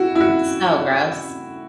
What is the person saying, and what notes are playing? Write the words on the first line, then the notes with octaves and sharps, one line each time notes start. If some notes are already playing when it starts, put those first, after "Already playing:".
It's so gross,
Already playing: E4 F#4
E4
F#4